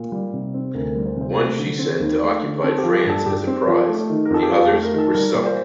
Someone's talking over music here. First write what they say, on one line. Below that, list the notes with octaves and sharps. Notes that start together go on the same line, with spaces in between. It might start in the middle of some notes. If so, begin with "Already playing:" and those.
One she sent to occupied France as a prize; the others were sunk.
Already playing: A#2
G3
C3
C4
D2 A#4
A#4
G3
C5
C3 C5
A3
D3
C4
D#2
A3
D3
C4 A4
G4
F3
G4
G2 A4
G2 G4
C4
F3
A3
D#3
A#4
F2 A4
G4
F2 F4
A4
A3 G4
A#4
D#3 A#4
A4
G3 A#4
A#4
A#2
D5
C5